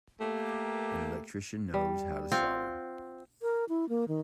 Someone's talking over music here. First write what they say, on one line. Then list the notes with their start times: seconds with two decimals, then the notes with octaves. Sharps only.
An electrician knows how to solder.
0.20 A3 A#3 G4
1.74 G3
2.32 C4 F4 F5 F#5
3.42 A#4
3.69 E4
3.89 A#3
4.08 D#3